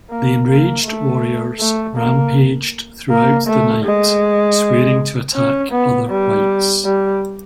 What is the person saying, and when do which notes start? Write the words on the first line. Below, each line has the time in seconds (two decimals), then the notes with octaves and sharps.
The enraged warriors rampaged throughout the night, swearing to attack other whites.
0.10 A#3
0.47 A#3
0.84 A3
1.60 A3
1.97 A#3
3.10 A#3
3.47 A3
3.85 G#3
5.34 C#4
5.72 B3
6.09 G3
6.85 G3